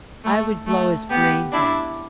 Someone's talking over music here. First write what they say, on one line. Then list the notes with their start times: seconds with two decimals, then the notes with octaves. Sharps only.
'I would blow his brains out.'
0.24 A3
0.67 A3
1.10 B3 G4
1.52 D4 E4